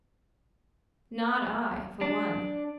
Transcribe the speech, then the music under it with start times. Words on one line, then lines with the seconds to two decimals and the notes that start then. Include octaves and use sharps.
Not I, for one....
2.01 D4